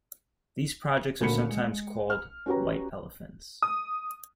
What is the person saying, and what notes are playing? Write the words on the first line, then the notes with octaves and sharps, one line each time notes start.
These projects are sometimes called 'white elephants'.
D#1 D2 A#3 B5 C#7
G#3
F6
C#4 F#4 G4 B4 A#5
D#6